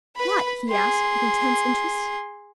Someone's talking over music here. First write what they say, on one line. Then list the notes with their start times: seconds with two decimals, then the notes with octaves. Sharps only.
"What?" he asked, with intense interest.
0.16 B4 B5
0.70 G#4 C6